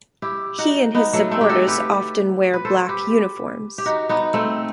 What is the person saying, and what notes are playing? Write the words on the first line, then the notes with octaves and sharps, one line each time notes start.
He and his supporters often wear black uniforms.
E4 G4
D#4 F#4
B3 D#4
F#3 A3
A3 C4
G4
F#4 A4
G4 B4
B4
A4 C5
G4 B4
G4
D#4 F#4
B3 D#4
A3 C4